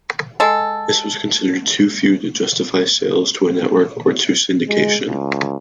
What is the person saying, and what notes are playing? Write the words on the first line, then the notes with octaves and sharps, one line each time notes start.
This was considered too few to justify sales to a network or to syndication.
G#3 A4
G#3
C#2